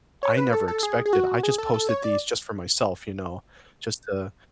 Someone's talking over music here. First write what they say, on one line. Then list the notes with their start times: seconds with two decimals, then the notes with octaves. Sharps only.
I never expected. I just posted these just for myself, you know, just to
0.23 C#5
0.37 B4
0.53 A4
0.68 A4
0.83 G#4
1.06 G#4
1.13 F#4
1.43 G#4
1.58 A4
1.74 A4
1.89 C#5
2.04 D5